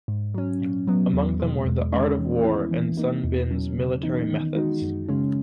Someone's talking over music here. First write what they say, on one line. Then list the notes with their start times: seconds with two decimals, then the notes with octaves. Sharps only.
Among them were "The Art of War" and Sun Bin's "Military Methods".
0.08 G#2
0.34 F#3 C#4
0.61 A#2
0.87 F#3 B3
1.13 E2
1.40 B2 G#3
1.66 E2
1.92 D#3 G#3 C#4
2.19 E3
2.45 B3 E4
2.71 E3
2.97 A#3 D#4
3.24 E2
3.51 B2 F#3 C#4
3.77 C#3
4.03 E3 B3 D#4
4.30 D#3
4.55 G#3 D#4 F#4
4.82 F#2
5.08 C#3 G#3 C#4